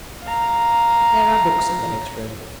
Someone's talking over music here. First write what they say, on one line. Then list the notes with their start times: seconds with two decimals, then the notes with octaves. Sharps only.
There are books in the next room.
0.24 F5 A#5